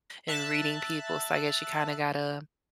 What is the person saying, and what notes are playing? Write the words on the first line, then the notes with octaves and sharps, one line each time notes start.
in reading people so, I guess you kinda gotta
E5 A5 F#6 A6